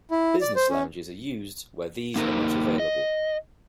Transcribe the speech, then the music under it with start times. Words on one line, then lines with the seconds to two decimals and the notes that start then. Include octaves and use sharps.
Business lounges are used where these are not available.
0.11 E4
0.41 D5
0.56 C5
0.70 C#4
2.16 A#3 D#4 A#4 C5
2.80 D#5